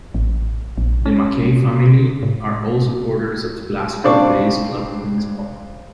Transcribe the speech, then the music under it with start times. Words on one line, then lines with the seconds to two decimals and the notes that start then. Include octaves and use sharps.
The Mackay family are all supporters of Glasgow-based club Queen's Park.
0.14 A1
0.78 A#1
1.06 C#4
2.23 A2
4.04 C#3 C4 D4 D5 C#6